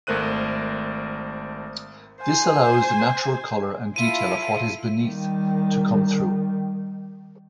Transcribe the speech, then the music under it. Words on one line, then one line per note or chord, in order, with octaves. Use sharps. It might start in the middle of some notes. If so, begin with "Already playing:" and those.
This allows the natural color and detail of what is beneath to come through.
G#1 A3 A#4 C5 F#6 D#7
C5 G#5
E4 F4 A4 D#7
D#3 G3